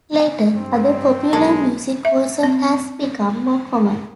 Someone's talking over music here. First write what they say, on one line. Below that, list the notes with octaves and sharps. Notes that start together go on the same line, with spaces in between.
Later, other popular music also has become more common.
G#5
G2 C4
B1 G#3 A#3 D4 A4
E5
C4